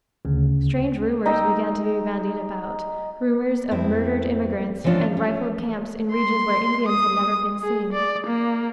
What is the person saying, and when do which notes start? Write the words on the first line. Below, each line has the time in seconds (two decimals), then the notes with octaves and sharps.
Strange rumours began to be bandied about--rumours of murdered immigrants and rifled camps in regions where Indians had never been seen.
0.25 D2 C#3
1.26 D#4 G5 E6
3.71 F2 C4 E4
4.84 E3 F3 G#3 C#4 D4 F4
5.17 C#4
6.14 C6
6.88 D#6
7.63 G#4
7.93 D5
8.27 A#3